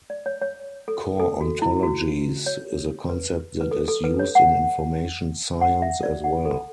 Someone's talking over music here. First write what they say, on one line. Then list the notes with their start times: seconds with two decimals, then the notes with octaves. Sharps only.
Core ontologies is a concept that is used in information science as well.
0.10 D5
0.26 C#5
0.42 C#5
0.88 A4
1.20 A4
1.41 F#4
1.62 E4
1.83 F#4
2.46 C#5
3.09 B4
3.61 B4
3.71 A4
3.88 A4
4.04 B4
4.19 C#5
4.35 F#5
5.61 F#5
5.82 E5
6.03 D5
6.24 F#5
6.45 A4